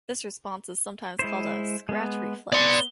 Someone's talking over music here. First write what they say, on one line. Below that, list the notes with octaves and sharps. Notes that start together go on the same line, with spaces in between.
This response is sometimes called a scratch reflex.
G#3 E4 C5
G#3 B3
B3 D5 C6